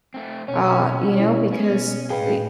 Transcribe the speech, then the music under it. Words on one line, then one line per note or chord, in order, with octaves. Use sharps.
uh, you know, because eh
A3 C4
B2 C#4 C#5
E4 C#5
B3 C#4
A2 G#4 B4 F5 G5